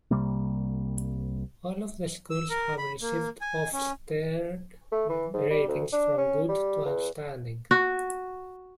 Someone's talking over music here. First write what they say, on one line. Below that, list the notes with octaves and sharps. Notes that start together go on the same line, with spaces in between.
All of the schools have received Ofsted ratings from "good" to "outstanding".
C2 C3 G3 A#3
E6
A#4
B5
A#3
G#5
C#4
A3
E3
G#2
G3
D2
D4
C#4
G3
E2
F#4